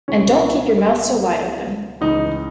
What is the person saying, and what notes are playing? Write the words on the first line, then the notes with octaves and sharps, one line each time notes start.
And don’t keep your mouth so wide open!
C#2 B2 C#4
C#2 C#3 E3 D#4